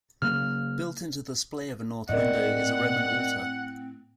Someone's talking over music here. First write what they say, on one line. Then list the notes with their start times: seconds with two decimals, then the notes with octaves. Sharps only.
Built into the splay of a north window is a Roman altar.
0.22 C#3 F#3 A#3 F6
2.09 A2 C4 A#4 D5 D#5 F#5